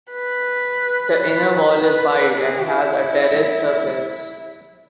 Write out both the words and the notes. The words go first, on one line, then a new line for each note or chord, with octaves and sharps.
The inner wall is wide and has a terraced surface.
B4
B4
B4
G#4
E4